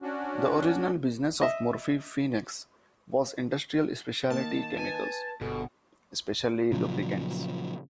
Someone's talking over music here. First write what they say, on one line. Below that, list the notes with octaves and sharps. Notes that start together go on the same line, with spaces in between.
The original business of Murphy-Phoenix was Industrial Specialty Chemicals, especially lubricants.
C#4 D4 F#4
D#5 E5
D#3 A#3 A5
B4 G#5
G1 B2 F#4 G#4 A4
A#2 C#3 F3 F#3